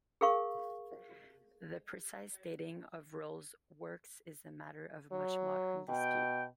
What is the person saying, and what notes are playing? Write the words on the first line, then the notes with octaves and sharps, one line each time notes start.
The precise dating of Rolle's works is a matter of much modern dispute.
G#4 A#4 F5 C#6
F#3
B2 G5